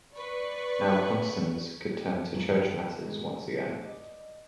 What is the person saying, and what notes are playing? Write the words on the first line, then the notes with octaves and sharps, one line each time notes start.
Now Constans could turn to church matters once again.
B4 D5 C#6
F#2 D3 F3 F#3 G#3
E4 G#4 A#4 F#5 G5 A5
F2 D#3 G#3
D#3
F#4 C5
D5 D#5